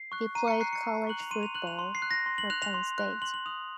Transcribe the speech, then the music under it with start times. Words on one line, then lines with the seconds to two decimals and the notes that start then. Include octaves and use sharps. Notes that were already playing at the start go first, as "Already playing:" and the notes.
He played college football for Penn State.
Already playing: C7
0.12 C#6 F#6
0.35 A#5 D#7
0.48 C#7
0.59 C#6 F#6 C7
0.73 C#7
0.83 A#5
1.07 C#6 F#6 F#7
1.20 F7
1.31 C6 D#7
1.43 F7
1.55 F#6 F#7
1.67 F7
1.79 C6
1.95 C7
2.02 F#6
2.11 A#6
2.26 C6
2.38 F#7
2.50 F#6 F7
2.62 F7
2.74 C6
2.98 F#6
3.22 C6 F#7
3.34 F#7
3.46 D#6 F#6 F7